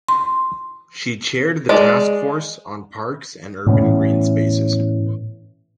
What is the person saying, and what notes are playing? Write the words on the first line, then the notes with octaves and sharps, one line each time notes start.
She chaired the taskforce on parks and urban green spaces.
C6
G#3 D5
A2 E3 B3 C#4